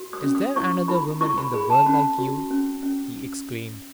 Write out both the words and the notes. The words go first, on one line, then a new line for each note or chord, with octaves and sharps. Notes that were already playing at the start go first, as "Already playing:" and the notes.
"Is there another woman in the world like you!" he exclaimed.
Already playing: F#4
D#6
C#4
D#6
E4 C#6
E4 B5
E4 C#6
B5
G#4 B5
A5
C#4 B5
F#4
C#4
C#4